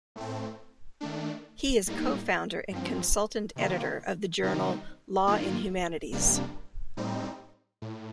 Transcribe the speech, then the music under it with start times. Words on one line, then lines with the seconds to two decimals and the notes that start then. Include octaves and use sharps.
He is co-founder and consultant editor of the journal, "Law and Humanities".
0.16 A2 A3 C4
1.01 D#3 A3 D4
1.87 A2 G3 A#3 D#4
2.71 G2 F3 C4
3.56 C3 D#3 A#3 F4
4.42 C3 D#3 G3 C4 D#4
5.27 G2 D#3 A#3 F4
6.12 F2 C3 G3 A#3 D4
6.97 A2 G3 C4 D#4
7.82 A2